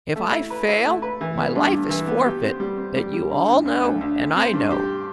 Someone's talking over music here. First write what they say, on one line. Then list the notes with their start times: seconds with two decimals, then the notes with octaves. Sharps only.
If I fail my life is forfeit--that you all know and I know.
0.16 A3
0.32 E4
0.50 B4
0.68 E4
0.85 A3
1.02 B4
1.21 E3
1.37 B3
1.56 G2
1.73 G2
1.90 E3
2.07 B3
2.25 G4
2.43 C4
2.60 G3
2.77 C4
2.96 G3
3.13 G3
3.30 D3
3.48 D2
3.65 D2
3.83 D2
4.01 D2
4.19 D3
4.36 C4
4.53 G2
4.71 G4